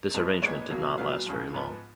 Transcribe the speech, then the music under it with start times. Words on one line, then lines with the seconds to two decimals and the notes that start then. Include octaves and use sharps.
This arrangement did not last very long.
0.14 F2 F3 G#3 B3
0.42 A#1 A#2 G#3 B3 C#5
0.70 B1 B2 F#3 A#3
0.98 A#1 A#2 F#3 B3 F5
1.26 C#2 C#3 F3
1.54 G#2 F3 B3